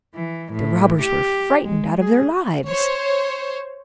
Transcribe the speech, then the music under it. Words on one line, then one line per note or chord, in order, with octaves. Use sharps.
The robbers were frightened out of their lives.
E3
A2
G4
G#3
G#4
C5 C#5